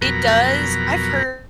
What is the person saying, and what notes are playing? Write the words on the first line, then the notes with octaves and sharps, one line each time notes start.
it does I've heard
F2 B2 F#3 A#4 A#5 B5